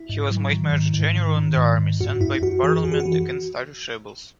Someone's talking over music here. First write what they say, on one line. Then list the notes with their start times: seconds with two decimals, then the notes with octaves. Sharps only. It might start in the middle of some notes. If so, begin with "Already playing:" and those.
He was made major general in the army sent by Parliament against Irish rebels.
Already playing: E4
0.09 G#2
0.31 F#3
0.51 D#3
0.73 G#2
0.94 G#2
1.16 D#3
1.37 D#3
1.57 G#2
1.78 G#2
2.01 F#2 F#4
2.20 F#2 E4
2.34 E4
2.42 F#2 F#4
2.63 E3 G#4
2.84 F#2 F#4
2.92 G#4
3.00 F#4
3.06 E3
3.12 F#4